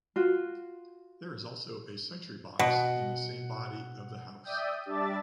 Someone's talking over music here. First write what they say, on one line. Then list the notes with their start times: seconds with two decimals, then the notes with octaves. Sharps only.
There is also a sentry box in the same body of the house.
0.16 F4 F#4
2.59 B2 F#5
4.43 D5 E5 G5 D#6 G6
4.86 G3 D4 D5 E5 A5 A6